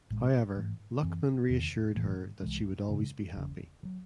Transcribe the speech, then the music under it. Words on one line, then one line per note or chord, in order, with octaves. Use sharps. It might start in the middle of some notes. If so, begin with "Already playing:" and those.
However Luqman reassured her that she would always be happy.
A1 A2 G#3
G#2 E3 A3
F#2 E3 C4
E2 C3 D#3
A1 A2 E3 A3
C2 C3 E3 G#3
F#2 C#3 G#3
F#1 E2 C#3
D#3 F#3